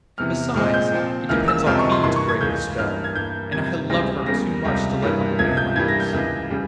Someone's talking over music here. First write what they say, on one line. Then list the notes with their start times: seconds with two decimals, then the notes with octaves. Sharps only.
And besides, it depends on me to break the spell, and I love her too much to let her remain like this.'
0.18 E2 C3 E3 F6
0.55 A#2 G#3 C4 F6
0.74 G6
0.92 A#2 F3 C4
1.29 C#2 C#3 E3 A#3 F6
1.48 E6
1.66 F2 C3 F3 G#3 C4 F6
1.79 C#6
1.92 C6
2.04 G2 E3 A#3 C6
2.16 C#6
2.29 G#6
2.41 C#2 C#3 E3 G6
2.78 G2 E3 A#3 F6
3.04 G#6
3.15 G2 E3 A#3 G6
3.52 F2 C3 G3 G#6
3.90 C#2 C#3 E3 G3 C4 A#6
4.26 E2 C#3 G3 A#3 A#6
4.64 C#2 C3 G3
5.02 G2 E3 G3 A#3
5.39 C#2 C3 F3 G#6
5.57 G6
5.76 G2 E3 G3 A#3 G#6
5.88 A#6
6.00 G6
6.13 C#2 C#3 E3
6.50 C#3 G3